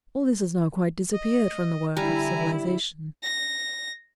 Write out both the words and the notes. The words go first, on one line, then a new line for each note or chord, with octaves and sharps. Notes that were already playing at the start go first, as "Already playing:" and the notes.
All this has now quite disappeared from the work of civilization.
D#5
D3 G3 E4 G#5 A#5
A#6